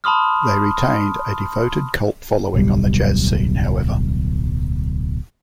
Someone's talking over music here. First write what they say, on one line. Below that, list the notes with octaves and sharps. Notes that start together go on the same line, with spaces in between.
They retained a devoted cult following on the jazz scene, however.
A5 B5 C6 D#6 F6
D1 B1 G3